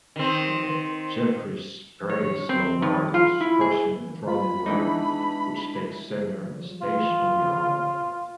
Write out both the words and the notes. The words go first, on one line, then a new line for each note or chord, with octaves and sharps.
Jeffries praised Lombardo's "crushing drum work" which takes center stage on the album.
D#3 C4
C#5
C4
D#3
F4
E4
G#4
F4 B5
E2 E3 G#3 D4 D#4
F4